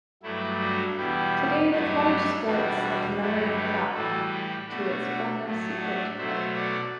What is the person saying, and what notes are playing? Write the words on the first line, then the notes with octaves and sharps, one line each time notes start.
Today the cottage sports a commemorative plaque to its former secret life.
G2 F#3 A3 E4
D4 F#4
E2 B2 G3 E4 G4
G2 F#3 A3 D4 F#4
E2 B2 G3 D4 F#4
G2 D3 F#3 A3 E4
G4 B4
A2 E3 G3 F#4 A4
E4 G4
B2 A3 D4 F#4
A2 F#3 A3
D4 F#4
B2 F#3 A3 C5 E5
D5 F#5